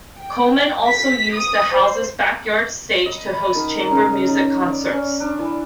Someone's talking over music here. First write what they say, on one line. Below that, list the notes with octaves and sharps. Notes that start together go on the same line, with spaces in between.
Coleman also used the house's backyard stage to host chamber music concerts.
G5
B6
D#6
C5
D#5
B4
D#3
A#5
C#3
D#4
D5
C#4
D4
E3